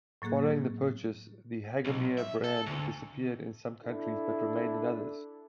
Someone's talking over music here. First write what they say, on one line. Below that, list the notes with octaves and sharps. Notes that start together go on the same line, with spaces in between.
Following the purchase, the Hagemeyer brand disappeared in some countries but remained in others.
A2 F#3 A#3 G#4 F#6
B1
E5
A4
D2
D4 E4 A4